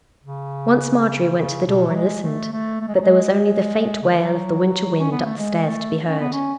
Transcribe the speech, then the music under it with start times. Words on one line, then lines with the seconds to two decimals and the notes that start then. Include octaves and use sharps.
Once Marjorie went to the door and listened, but there was only the faint wail of the winter wind up the stairs to be heard.
0.23 C#3
1.37 C#3
1.66 B2
1.89 F#3
1.95 G#3
2.23 A3
2.52 A3
2.81 A3
2.88 G#3
2.95 F#3
3.02 G#3
4.02 C#3
4.09 D#3
4.16 E3
4.23 F#3
4.99 C#4
5.12 B3
5.25 A3
5.38 G#3
5.66 A3
6.07 C#4
6.20 B3
6.32 C#4